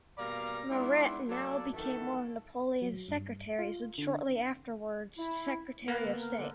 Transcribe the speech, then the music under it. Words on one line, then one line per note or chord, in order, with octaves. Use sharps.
Maret now became one of Napoleon's secretaries and shortly afterwards Secretary of State.
B2 G3 A#3 D5 F5 A#5
G#2 B3 D4 E4 C6
F#3 A#3 A4 D5
F#2 D#3 E3 A3 F#4 A4
F#3
G2
F4
D3
E4
A#3 B3 B4
D3
A#4
D3